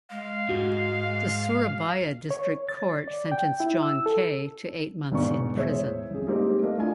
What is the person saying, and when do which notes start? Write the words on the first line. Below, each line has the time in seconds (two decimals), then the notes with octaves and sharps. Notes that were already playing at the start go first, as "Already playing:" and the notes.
The Surabaya District Court sentenced John Kei to eight months in prison.
0.10 G#3 F5
0.49 G#2 F#4
2.31 C#5
2.69 A6
3.08 D5
3.32 G5
3.60 E4
3.83 E6
4.06 A4
5.12 E1 G#2 B2 D3 D5 C#6
5.57 E2 G#3 G#4 C5 C#5 E5
6.11 A1 F2 G#4
6.27 G3 G#3 A#3 C4 D#4 G4
6.62 G3 A3 A#4 D#5 F5
6.78 A3 D4 E4 F4 G#5